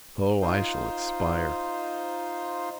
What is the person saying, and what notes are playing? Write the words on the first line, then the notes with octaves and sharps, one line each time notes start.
O, I shall expire!
D#4 F4 C5